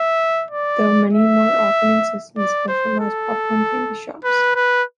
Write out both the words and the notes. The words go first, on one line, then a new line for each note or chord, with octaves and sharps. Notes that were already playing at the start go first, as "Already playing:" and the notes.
Though many more often exist in specialized popcorn candy shops.
Already playing: E5
D5
E5
D5
C5
A4
B4
B4